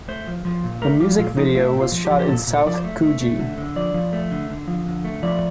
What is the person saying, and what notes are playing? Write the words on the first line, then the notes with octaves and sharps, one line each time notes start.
The music video was shot in South Coogee.
A3 C5
F3
F3
A#2
A3 A#4
F3 G4
A#2 F4
F3 D#4
A3 F4
A#2
F4
F3
G4
F3
G4
A#2 A4
A#2
A4
F3 D5
C5
A3
A3
A3
D3
D3
F3 D5
F3
A3
D3
D3
F3
D3
A3
F3 D5